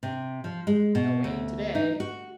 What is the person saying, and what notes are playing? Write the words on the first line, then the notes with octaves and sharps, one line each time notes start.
No rain to-day.
C3
F3
G#3
B2
D2
D#4
F#4